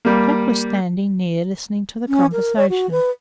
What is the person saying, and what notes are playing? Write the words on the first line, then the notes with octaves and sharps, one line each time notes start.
Jack was standing near listening to the conversation.
G3 A#3
C#4
A#4
C#5
F#4
B4